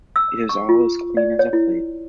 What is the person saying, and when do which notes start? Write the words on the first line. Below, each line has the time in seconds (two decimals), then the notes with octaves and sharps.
It is all as clean as a plate.
0.16 E6
0.49 C#6
0.69 F4
1.17 D5
1.39 C#5
1.53 E4